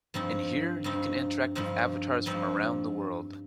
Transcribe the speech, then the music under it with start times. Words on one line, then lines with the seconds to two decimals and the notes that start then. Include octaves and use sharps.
In here you can interact with avatars from around the world.
0.14 G2 F3 C4 D#4
0.84 G2 F3 C4 D#4
1.55 G2 F3 C4 D#4
2.26 G2 F3 C4 D#4